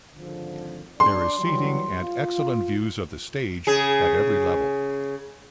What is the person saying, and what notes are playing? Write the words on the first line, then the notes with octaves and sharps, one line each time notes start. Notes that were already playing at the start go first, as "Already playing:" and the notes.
There is seating and excellent views of the Stage at every level.
G#1 D3 F3
D4 D5 C6
E3 F#3 G3
F4
C#3 G#4